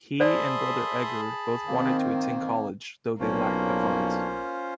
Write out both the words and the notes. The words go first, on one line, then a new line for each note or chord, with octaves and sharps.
He and brother Edgar both wanted to attend college, though they lacked the funds.
G#4 C5 D5 E5 A5 B5 C6 D#6
D#3 A#3 C4
B1 A#3 C#4 D4 F4 C5 C#5